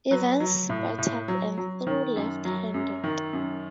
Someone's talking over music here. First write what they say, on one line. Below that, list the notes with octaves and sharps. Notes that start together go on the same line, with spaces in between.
Evans batted and threw left-handed.
F#3 B4
F#3
A2
A2
F#3
F#3
D#3
F#2
F#3
F#2
D#3
F#2